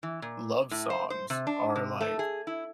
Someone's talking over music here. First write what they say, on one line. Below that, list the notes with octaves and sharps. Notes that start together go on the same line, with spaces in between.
love songs are, like
E3
A#2
A2
C5
C5
C3
D4
C3
A3
G#4
E4